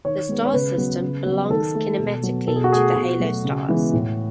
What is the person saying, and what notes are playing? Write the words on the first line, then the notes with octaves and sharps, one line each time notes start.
The star system belongs kinematically to the halo stars.
D#3 C#5
G#3 B3
C#5
C#3 B4
F#3 B3
C#3
F#3 B3
D#3 A4
A3
B2
F#3 B3
B2 A4
G#4
F#4
A3 G#4
B2 F#4
F#3 A3
C#3
E3 G#3 B3
A2